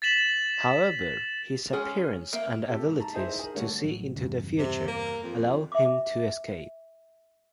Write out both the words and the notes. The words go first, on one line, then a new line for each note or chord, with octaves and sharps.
However, his appearance and abilities to see into the future allow him to escape.
A6 B6 E7 F#7
G#3 C#4 G#4
A#3 E5
C3 G4 A4
G#2
A5 A#5
D#4 E4 G#4 C5 E5
G#4 A#4
D3 G3 A3 C#5
A1 F#3
E2 G2 C#3
C3
A#3
F2
E5 D6